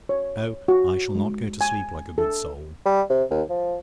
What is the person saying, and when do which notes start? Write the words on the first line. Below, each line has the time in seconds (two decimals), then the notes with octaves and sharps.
No; I shall not go to sleep like a good soul.
0.09 C#5
0.68 F#4
1.15 G#3
1.61 G#5
2.18 A4
2.86 G3
3.10 C3
3.31 D#2
3.50 F3